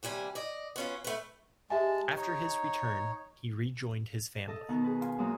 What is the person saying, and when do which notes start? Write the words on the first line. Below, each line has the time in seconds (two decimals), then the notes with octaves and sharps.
After his return, he rejoined his family.
0.03 D#2 C3 G3 G#5
0.35 D5 D#5
0.76 B3 C#4 F4
1.04 A3 B4
1.70 G#3 G4 E5 G#5 A5
2.16 D#4 C#5
4.48 A4 D#5
4.69 B2 D#3 B3 D#4
4.84 G#4 B4
5.01 F4 G#5
5.18 F#2 F#3 G#3 A#3 F4 D#6